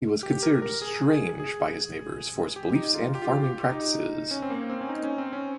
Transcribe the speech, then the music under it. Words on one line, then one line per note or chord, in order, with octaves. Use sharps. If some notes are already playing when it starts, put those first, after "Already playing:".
He was considered strange by his neighbors for his beliefs and farming practices.
G4
A#4
A#4
G#4
G#4
G#4
G4
D#4
F4
G4
F4
G4
G4
D#4
C#4
C4
A#3
C4
C#4
D#4
C#4
C4
C#4